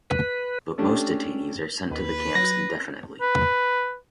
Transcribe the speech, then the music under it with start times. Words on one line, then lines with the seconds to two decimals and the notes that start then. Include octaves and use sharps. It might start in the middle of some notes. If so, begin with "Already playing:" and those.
But most detainees are sent to the camps indefinitely.
0.10 B4
0.78 A3 C#4 D4 G4
1.91 D#2 B4
2.35 F#3 A#6
3.21 B4